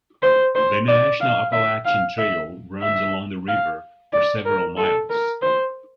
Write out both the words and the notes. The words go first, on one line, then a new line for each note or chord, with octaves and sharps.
The International Appalachian Trail runs along the river for several miles.
C5
C5
D5
F5
E5
F5
E5
E5
F5
D5
A#4
A4
A#4
C5